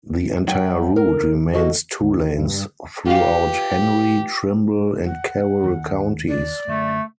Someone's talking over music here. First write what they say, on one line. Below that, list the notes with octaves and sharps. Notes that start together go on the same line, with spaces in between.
The entire route remains two-lanes throughout Henry, Trimble, and Carroll counties.
F#3 E5 F#5 G5
A#4
F#4 A4 D#5
D2
G2
F4 G4 B4 F5
F#5
D#2
D5
F#2 D3 A3